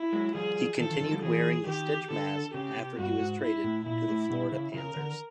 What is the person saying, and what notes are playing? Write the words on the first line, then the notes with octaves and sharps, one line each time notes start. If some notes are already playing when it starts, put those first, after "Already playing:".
He continued wearing the stitch mask after he was traded to the Florida Panthers.
Already playing: E4
F#3 G#3
F3 G3 G#4
D#3 F3 A4
D#3 F3
D#3 F3
F3 G3
E3 F#3 G#4
D#3 G4
D3 A4
C#3 G4
C3
G2 F#4
G#2
E4
A2
A#2 E4
A2
B2
C#3
C#3 A#4
D3